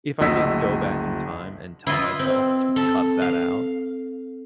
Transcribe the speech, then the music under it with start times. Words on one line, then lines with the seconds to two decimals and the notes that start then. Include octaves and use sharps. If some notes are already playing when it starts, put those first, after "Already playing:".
if I could go back in time and tell myself to cut that out,
0.21 F#1 D2 D#5 E6 B6
1.87 E4 F4 D#5
2.19 C4
2.76 A4
3.22 F5